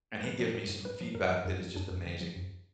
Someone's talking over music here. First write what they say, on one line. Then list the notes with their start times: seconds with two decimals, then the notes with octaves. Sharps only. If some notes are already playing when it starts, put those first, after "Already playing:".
And he gives me some feedback that is just amazing.
0.24 F3 B4
0.40 F3
0.55 G#2 A#4
0.69 G#2
0.85 G#2 B4
1.01 F3
1.15 G#2 A#4
1.30 F3
1.45 F#2 A#4
1.61 F3
1.76 F#2 D4
1.91 F#2
2.07 D3
2.21 F3
2.36 F#2